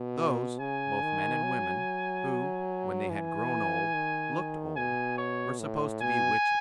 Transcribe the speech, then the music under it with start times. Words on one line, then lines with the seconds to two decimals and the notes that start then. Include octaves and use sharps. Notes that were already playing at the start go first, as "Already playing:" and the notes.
Those, both men and women, who, when they had grown old looked old, were supposed to be witches.
Already playing: B2
0.60 C#3 G#5
1.02 D#3
1.43 F#3
3.10 E3 G#5
3.94 D#3
4.76 B2 G#5
5.18 C#5
5.60 A2
6.02 B2 G#5